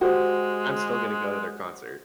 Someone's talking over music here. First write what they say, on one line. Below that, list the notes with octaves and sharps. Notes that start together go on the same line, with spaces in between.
I'm still gonna go to their concert."
G#3 F#4 G4 C5